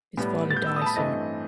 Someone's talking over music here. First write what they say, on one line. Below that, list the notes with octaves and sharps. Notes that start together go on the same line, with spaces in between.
His father dies soon.
A2 G3 B3
A6
G6
E6
D#6
A5
B5
G2 E3 A3 C4 D#5